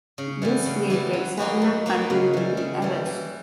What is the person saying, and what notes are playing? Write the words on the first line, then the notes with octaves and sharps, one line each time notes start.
This created several continuity errors.
C#3
E3 G3 B3
C#3
E3 G3 B3
F#3
A#3 D#4 F#4 B4
F#3
A#3 D#4 F#4 B4
C#3
E3 G3
C#3
E3 G3
E3